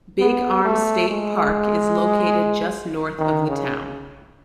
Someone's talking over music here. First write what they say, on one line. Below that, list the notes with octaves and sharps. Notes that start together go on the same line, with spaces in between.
Big Arm State Park is located just north of the town.
B3
A3
G#3
D#3
C#3